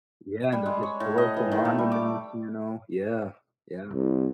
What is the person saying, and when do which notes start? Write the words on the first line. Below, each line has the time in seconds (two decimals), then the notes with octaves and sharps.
Yeah, and the historical monuments, you know, yeah, yeah.
0.52 G3
0.66 G#3
0.83 C#5
1.00 A2
1.18 D#5
1.37 E3
1.52 D#3
1.65 A3
1.78 G3
1.92 D6
3.93 C2